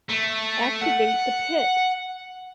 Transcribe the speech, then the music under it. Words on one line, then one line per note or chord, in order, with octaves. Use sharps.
Activate the pit!
A3
F#5